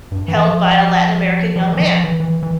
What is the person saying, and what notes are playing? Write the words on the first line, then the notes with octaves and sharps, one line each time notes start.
held by a Latin American young man.
G2
E3
F3
F3
E3
F3
E3
E3
E3